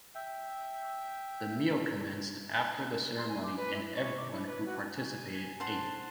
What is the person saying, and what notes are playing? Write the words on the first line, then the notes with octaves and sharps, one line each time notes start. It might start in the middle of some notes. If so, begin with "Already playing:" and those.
The meal commenced after the ceremony and everyone who participated ate.
E5 G5
C6
G#5
D6
B4
E4
C#5
D6
E4
B4
F#4
G#5
C5 F#5 A5 C6